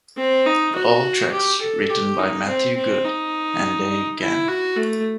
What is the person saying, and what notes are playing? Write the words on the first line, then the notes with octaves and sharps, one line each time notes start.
All tracks written by Matthew Good and Dave Genn.
C4
D#4
F#4
G4
A4
G4
D#4
C4
C4
D#4
E4
F#4
A3